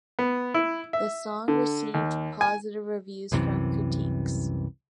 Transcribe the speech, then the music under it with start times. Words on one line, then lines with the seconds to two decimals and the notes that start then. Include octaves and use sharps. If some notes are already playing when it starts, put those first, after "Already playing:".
The song received positive reviews from critics.
0.19 B3
0.54 E4
0.93 E5
1.48 D3
1.94 D#2
2.41 G#5
3.32 C2 F#2 C3 E3